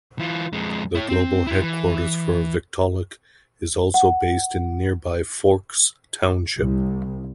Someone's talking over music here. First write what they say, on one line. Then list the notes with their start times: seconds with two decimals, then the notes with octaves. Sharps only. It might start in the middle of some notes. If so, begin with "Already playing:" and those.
The global headquarters for Victaulic is also based in nearby Forks Township.
0.19 E3 F4
0.53 F2 G#3
0.95 E4 C#5
1.09 C4
1.47 E4 G4
1.63 E3
3.94 F#5
6.59 C2